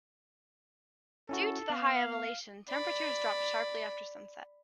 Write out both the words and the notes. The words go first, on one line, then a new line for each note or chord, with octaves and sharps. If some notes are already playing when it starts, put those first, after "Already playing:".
Due to the high elevation, temperatures drop sharply after sunset.
C#4 E4 F#4 A4
B3 F5
D5 B5